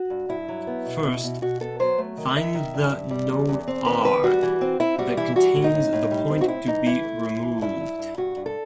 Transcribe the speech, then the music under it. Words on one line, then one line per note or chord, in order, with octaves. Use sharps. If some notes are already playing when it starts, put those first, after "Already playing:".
First, find the node R that contains the point to be removed.
Already playing: F#4
G2
G2 E4
F#3
B3
B2
B2
B2
B2 F#4
B3 A4
F#3 C5
A3
D#3
D#3 E5
D#3
G2
G2
G3
E2
E2
C4
D#3 B4
E2 B4
G3 F#4
E3
C4
C4 E4
G3 F#4
E3 E4
G3 F#4
A2
D#4
A2
A2
G3
C4
F#4
A2 E4
E3 D#4
E3 E4
A3
A2
E3
G2 E4
G2
G2
G2 F#4
G2
A4